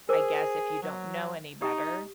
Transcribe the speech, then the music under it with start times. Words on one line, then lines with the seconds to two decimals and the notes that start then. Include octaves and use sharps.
I guess if you don't know any better,
0.09 G#4 A#4 C5 D6
0.83 F#3
1.62 D#4 G4 D#6